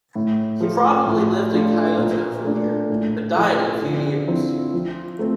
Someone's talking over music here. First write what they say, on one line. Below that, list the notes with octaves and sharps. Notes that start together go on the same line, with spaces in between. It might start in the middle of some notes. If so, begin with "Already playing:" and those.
He probably lived in Kyoto from here but died in few years.
A2
F3 A3
A2
F3 A3 D4 F4
A#2
A3 D4
A2
F3 A3 E4
D3
F3 C4 E4
F3
A3 C4